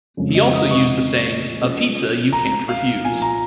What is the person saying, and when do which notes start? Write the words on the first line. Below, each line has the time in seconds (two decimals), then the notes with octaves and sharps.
He also used the sayings A pizza you can't refuse!
0.17 F2 C#3 G#3 C#4
0.35 D#5
0.53 D#6
0.71 C#6
1.61 F3 C#4 G#4
2.33 A#5
2.69 F5
3.05 A#2 F3 A#3 G#5
3.22 A#5